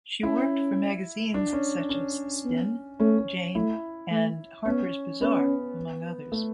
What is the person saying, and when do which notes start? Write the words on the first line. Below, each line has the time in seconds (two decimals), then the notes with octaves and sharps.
She worked for magazines such as "Spin", "Jane" and "Harper's Bazaar", among others.
0.23 C#4 E4
1.34 D4
1.53 C#4
1.89 C#4
2.45 B3
3.00 A3 C#4
3.18 C#4
3.55 A3 E4
4.11 A3
4.65 B3 C#4
5.21 B3 C#4
6.32 A3